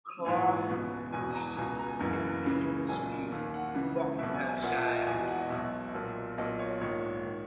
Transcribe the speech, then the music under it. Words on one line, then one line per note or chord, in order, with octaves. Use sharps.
Clarke lived in Beaconsfield, Buckinghamshire.
A#1 G#2 E3 G#5
C#2 B2
E1 E2 B2 G#5
A#5
C#2 B2 G#5
A#5
G#5
F#1 F#2 E3 A#5
C#2 C#3 E3
B1 A#2 G#5
D#2 D#3
F#5
C#2 C#3 E3
B1 B2 E5
G#5
G#5
E5
A#1 A#2 F#5
E5
D#5
E5
E1 E2 B2 G#5
F#5
D#5
B1 B2 E5
B1 A#2
B1 A#2 D#5
C#5
A#1 G#2 D#3 C#5
D#3